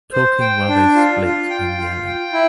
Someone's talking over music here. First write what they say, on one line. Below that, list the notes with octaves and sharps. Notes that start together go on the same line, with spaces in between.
Talking while they split and yelling.
C5
G5
D4
F4
F4
G5
F4
G5
E4